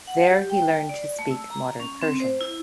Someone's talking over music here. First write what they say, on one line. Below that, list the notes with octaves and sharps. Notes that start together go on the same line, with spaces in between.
There he learned to speak Modern Persian.
F#5
G4
G5
D5
A3
E6
A#5
C#4
C4
C5
E4